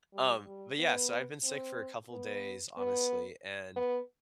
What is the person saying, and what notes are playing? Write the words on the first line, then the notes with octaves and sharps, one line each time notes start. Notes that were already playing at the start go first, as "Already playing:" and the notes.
Um, but yeah, so I've been sick for a couple days, honestly, and
G3
G3
B3
C4
B3
B3
B3